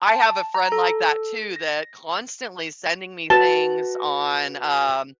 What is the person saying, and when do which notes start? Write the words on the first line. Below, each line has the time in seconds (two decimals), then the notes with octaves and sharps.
I have a friend like that too that constantly sending me things on, um,
0.08 A5
0.54 A#5
0.72 A4
1.56 A#6
3.30 F#4 B4 A5